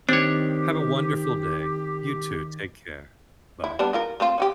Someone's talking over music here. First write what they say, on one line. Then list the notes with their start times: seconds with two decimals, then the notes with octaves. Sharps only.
Have a wonderful day. You too. Take care. Bye.
0.09 D#3 C4 D4 G4 C#5
3.64 E4
3.79 G3 B3 D4
3.93 E3 F4 A#4
4.20 A3 C4 F4
4.38 C#4 F#4 G4